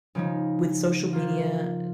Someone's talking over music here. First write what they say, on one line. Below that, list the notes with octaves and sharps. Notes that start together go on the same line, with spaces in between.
with social media, eh,
C#3 F3 G#3 D#4
F3 A#3 F4